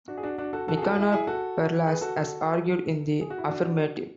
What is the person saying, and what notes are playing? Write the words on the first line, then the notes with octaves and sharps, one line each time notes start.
Nicanor Perlas has argued in the affirmative.
D4 F#4
G#4
D4 F#4
D4 F#4
F#4 A4
F#4 A4
G#4
F#4 A4
E4 G#4
E4 G#4
F#4 A4
G#4 B4
F#4 A4
F#4 A4
G#4
F#4
E4
D4 F#4